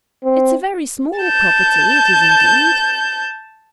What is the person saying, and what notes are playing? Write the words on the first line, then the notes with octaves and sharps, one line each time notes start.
It's a very small property, it is indeed.
C4
A5 G6